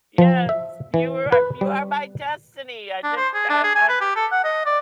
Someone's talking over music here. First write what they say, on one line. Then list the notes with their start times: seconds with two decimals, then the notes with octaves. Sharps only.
Yes, you are you are my destiny. I just, I'm I'm
0.18 F3
0.49 E5
0.94 E3
1.32 B4
1.61 G3
3.03 D4
3.17 C5
3.34 G#4
3.49 D4
3.64 G#4
3.75 G#5
3.89 B4
4.01 G4
4.16 A4
4.31 F#5
4.44 D#5
4.66 D5